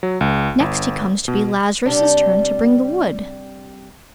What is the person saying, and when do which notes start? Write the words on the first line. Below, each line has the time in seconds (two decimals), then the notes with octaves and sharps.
Next it comes to be Lazarus's turn to bring the wood.
0.03 F#3
0.21 C#2
0.60 G1
1.28 B2
1.86 C3 G3 D4